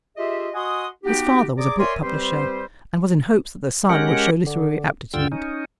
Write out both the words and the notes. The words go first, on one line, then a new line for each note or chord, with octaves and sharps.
His father was a book publisher and was in hopes that the son would show literary aptitude.
F4 G4 G#4 D#5 E5
F#4 D#5 F#5 G#5 C6 D#6
B3 D#4 F#4 G4
G#4 D5 A#5 D6
A#4 C#5 D5 E5 G#5 C6
G3 C4 G4 B4 C5
G#3 C#4 G4 A#4 F#5
D3
D2 G2 D3 F4 G5 E6
C#4 D#4